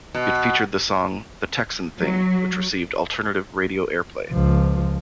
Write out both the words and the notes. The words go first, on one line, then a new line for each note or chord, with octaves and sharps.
It featured the song, "The Texan Thing", which received alternative radio airplay.
B2
F#3
C#2 F3